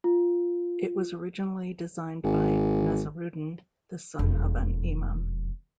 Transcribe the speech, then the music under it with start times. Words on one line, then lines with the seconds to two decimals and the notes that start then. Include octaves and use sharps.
It was originally designed by Nazaruddin, the son of an imam.
0.04 F4
2.24 G#1
4.19 E1 F2